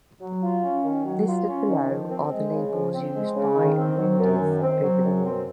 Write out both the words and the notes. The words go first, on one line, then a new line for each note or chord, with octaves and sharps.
Listed below are the labels used by Moodyz over the years.
F#3
F4
C#4
D#3
F#3
F4
C#4
D#3
F3
C4
G#3
C#3
F3
C4
G#3
C#3
D#3
C4
F#3
F#2
D#3
C4
F#3
F#2
C4